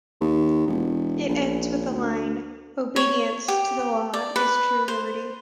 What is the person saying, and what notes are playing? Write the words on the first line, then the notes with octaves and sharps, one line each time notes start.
It ends with the line, Obedience to the law is true liberty.
D#2
E1
A#1
D2
C#5
G4
D5
B4
C5